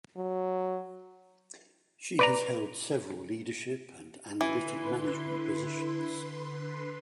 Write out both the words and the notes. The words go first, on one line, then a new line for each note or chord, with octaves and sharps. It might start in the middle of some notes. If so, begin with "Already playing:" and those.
She has held several leadership and analytic management positions.
F#3
B4 D5 A#5
D3 E3 E4 B4 C6